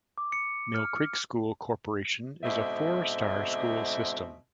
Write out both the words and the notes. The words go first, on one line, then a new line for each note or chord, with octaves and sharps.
Mill Creek School Corporation is a four-star school system.
D6
C#7
F6
G#2 B2 D3 C4 D#5 E5